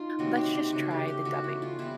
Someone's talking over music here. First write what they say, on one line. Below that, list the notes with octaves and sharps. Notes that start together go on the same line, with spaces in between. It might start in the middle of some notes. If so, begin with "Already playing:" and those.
let's just try the dubbing,
Already playing: D#4 F4
C3 D#3 F#3 A#3 F#4
G4
G4
C#3 F#3 A3 F#4
G4
G4
E3 A3 F#4
E4
F4
E3 G3 B3 E4